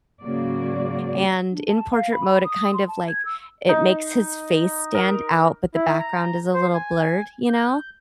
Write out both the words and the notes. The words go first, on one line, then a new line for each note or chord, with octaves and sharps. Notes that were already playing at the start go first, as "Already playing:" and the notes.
and in portrait mode, it kind of, like, it makes his face stand out, but the background is a little blurred, you know?
G#2 C#3 F#3 A#3 F#4 D5
D4
A5
F5
B5
D#6
C6
A5
G#6
E6
D#4
A#4
E4
A#5
C5
G#5
G6